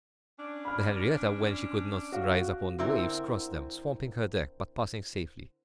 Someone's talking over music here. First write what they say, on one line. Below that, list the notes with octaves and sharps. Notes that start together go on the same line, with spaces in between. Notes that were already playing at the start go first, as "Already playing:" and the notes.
The Henrietta, when she could not rise upon the waves, crossed them, swamping her deck, but passing safely.
C#4 D4
B5 F6
F#4 F5
D3 C4 E4 A#4